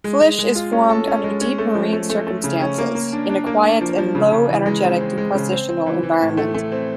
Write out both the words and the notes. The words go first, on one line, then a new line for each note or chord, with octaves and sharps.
Flysch is formed under deep marine circumstances, in a quiet and low-energetic depositional environment.
G#3
G#3
G#3
F4
C#4
A4
C#4
G#3
C#4
A3
F3
A3
A3
A3
C#3
C#4
A#3
A#3
D4
D4
A#3
D4
F3
F3
C#3
C#3
E3
G#3
C4
C4
G#3
C#3
C4
C4
E3
E3
A2
A3
A3
C4